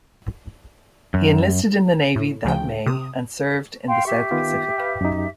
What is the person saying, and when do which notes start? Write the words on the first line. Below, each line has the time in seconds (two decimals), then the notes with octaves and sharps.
He enlisted in the Navy that May, and served in the South Pacific.
1.14 F#2
2.16 A2
2.44 D2 C#3 F3 G5
2.86 C3 D#6
3.87 F5 G5 C6
4.05 G4 E5 C#6
4.31 D#3 B3 F4
4.78 B4 F5 G5
5.01 F#2 D#4